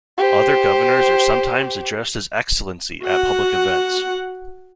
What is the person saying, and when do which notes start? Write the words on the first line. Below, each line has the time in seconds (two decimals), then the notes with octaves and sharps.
Other governors are sometimes addressed as "Excellency" at public events.
0.17 G4 C5
3.04 F#4 F#5